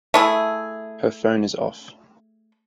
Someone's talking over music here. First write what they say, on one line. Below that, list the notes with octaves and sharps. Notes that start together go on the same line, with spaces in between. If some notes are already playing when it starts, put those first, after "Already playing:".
Her phone is off.
A3 E4 G#4